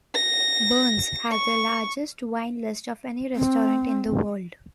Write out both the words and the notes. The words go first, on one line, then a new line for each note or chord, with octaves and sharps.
Bern's has the largest wine list of any restaurant in the world.
A#6
C#6
C4